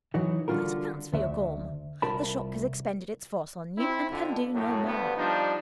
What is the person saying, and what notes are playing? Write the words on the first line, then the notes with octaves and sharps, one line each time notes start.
'That accounts for your calm. The shock has expended its force on you, and can do no more.
E3 F#3 D#4 F#4
D3 G3 F4 F#4 A#4
D2 E5
C2 F4 A#4 A5 B5
C4 E4
F2 D3
F#2 A2
D2 G2 B3
F3 G3 D4 D#4